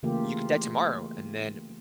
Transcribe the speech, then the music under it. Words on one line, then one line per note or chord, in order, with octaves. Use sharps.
you could die tomorrow, and then
C#3 E3 A3 A#3 F4 G4